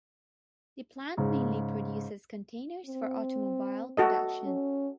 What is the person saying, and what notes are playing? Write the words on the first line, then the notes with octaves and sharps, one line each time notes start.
The plant mainly produces containers for automobile production.
G#2 C#3
C4
F#4 A4 D#5
C#4